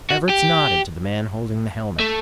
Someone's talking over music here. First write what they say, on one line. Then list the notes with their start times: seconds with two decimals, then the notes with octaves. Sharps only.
Everts nodded to the man holding the helmet.
0.10 F#4
0.29 G4
2.00 A3